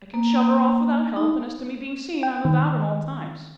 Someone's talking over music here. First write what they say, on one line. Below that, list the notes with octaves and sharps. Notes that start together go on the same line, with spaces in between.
I can shove her off without help; and as to me being seen, I'm about at all times.'
A#3
D#4
G5
D#3